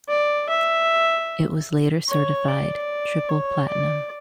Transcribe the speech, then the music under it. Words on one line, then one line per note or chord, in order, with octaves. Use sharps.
It was later certified triple platinum.
D5
E5
C#5
D5
C#5
D5